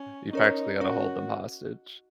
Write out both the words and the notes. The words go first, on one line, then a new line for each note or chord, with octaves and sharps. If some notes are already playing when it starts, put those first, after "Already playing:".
You practically had to hold them hostage.
Already playing: C#4
C#4 D#4 A#4 C#5
C#4 F#4 A#4 C#5